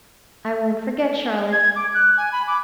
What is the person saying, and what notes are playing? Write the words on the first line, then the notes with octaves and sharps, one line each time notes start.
'I won't forget, Charlotte.'
G#6
D6
F#6
G#5
B5
D6